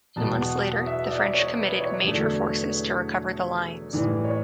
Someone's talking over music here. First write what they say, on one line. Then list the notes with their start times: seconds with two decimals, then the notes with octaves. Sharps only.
Two months later, the French committed major forces to recover the Lines.
0.16 E2 B2 F#3 A5
0.40 F#5
0.64 F#5
0.86 E5
1.06 E5
1.10 D5
1.34 C#5
1.58 B4
1.80 C#5
2.04 E2 D3 F#3 A3
3.93 A2 E3 G3 D5
4.24 C#5